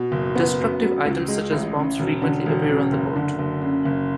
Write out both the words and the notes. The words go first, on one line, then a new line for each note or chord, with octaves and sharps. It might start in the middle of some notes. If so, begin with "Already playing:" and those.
Destructive items such as bombs frequently appear on the court.
Already playing: B2
F#1
B3
F#2
F#3
C#2
G#3
A1
C#3
E1
D3
E1
C#3
F#1
D3
F#1
C#3
F#1